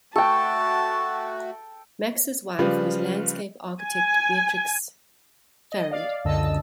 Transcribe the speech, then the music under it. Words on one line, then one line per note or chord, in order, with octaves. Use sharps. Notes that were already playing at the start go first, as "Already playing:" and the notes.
Max's wife was landscape architect Beatrix Farrand.
A3 F#4 A4 G5 A5 C#6
C#3 F3 G3 F4 B4
G#5
D#5
D5 F5
C#2 F#2 D3 D#5 A5 E6